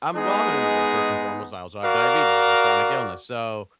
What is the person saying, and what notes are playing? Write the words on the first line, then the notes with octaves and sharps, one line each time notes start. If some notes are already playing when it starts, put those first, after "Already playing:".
I'm well, I'm an immigrant first and foremost, I also have diabetes, which is a chronic illness, so
G#3 B3 D#4 G#4
F#4 A#4 D5 F5